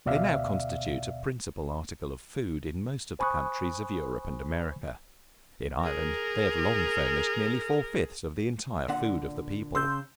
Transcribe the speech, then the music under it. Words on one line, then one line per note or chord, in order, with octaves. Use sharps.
They now constitute a principal article of food in most of the countries of Europe and America; in Ireland, they have long furnished nearly four-fifths of the entire food of the people.
D2 B2 D5 E5 F5
C5 G#5 B5 C#6 D#6 F#6
G#4 A#4
A#2 D3 F#5
C#3 C6 E6 G6